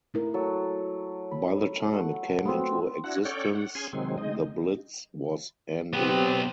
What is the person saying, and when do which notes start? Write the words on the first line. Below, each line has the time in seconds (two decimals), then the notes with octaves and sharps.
By the time it came into existence the Blitz was ending.
0.14 A3 E4 A#4
0.34 F#3 A4
1.31 B5
1.93 A3 F#5
2.45 A3 B3 C4 F#4
3.04 D4 E4 F#4 F#5
3.25 C#4 A4 C#5 D5 G5
3.55 F#5
3.75 C#4 G#4 G#5 C6
3.93 C3 D#3 F#3 G#3 C4
4.18 G#3 D#4 D#5
5.93 B1 B3 C4 G4